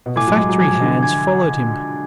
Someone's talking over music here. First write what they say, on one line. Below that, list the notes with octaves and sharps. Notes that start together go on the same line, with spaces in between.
The factory hands followed him.
B2
A2 G#5 D6 G#6
F#3
G#3
F#3
F3 G#5 D6 G#6
D3
G#5 D6 G#6